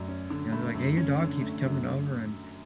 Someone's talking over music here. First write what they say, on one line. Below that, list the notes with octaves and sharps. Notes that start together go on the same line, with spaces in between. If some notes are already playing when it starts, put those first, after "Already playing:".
you know, they're, like, "Hey, your dog keeps coming over and
Already playing: F#2 A3 D5
C#4
D3
A3 B5
F#2
C#4
D3
A3
F#2